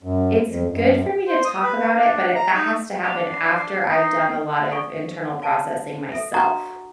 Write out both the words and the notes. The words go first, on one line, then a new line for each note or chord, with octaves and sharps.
it's good for me to talk about it, but it that has to happen after I've done a lot of internal processing myself.
F#2
F2
F#2
C5
D#6
B4
D4
A#5
D#4
D4 F7
C7
D#4 C7
A4 D5 G#5 C#6
D5 F5 G#5 A5
A4 E5
D4 F#4 F#5 A#5 C#6 D#6